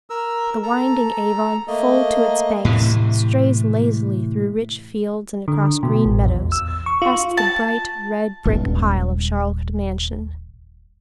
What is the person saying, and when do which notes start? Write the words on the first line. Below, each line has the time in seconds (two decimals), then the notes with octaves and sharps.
The winding Avon, full to its banks, strays lazily through rich fields and across green meadows, past the bright red-brick pile of Charlcote Mansion.
0.10 A#4 E6
0.63 A4 A#5
1.68 A3 A#3 D#5
2.65 A2 C3 E3
5.48 D3
5.83 B2
6.05 A1
6.25 E2
6.52 E6
6.86 C#6
7.02 F4
7.37 A5
8.45 D#1 G#1 G2